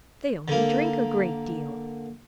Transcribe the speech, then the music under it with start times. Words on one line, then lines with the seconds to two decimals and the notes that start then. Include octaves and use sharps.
They only drink a great deal.
0.48 D3 A#3